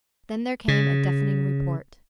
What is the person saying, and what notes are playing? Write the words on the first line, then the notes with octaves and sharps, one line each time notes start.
Then there came a deafening report.
C#3